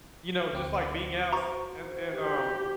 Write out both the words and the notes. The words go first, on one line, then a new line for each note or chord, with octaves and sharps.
you know, just, like, being out, and and, um
D2 C4 D6
F#4 C5 A#5 C#6
G4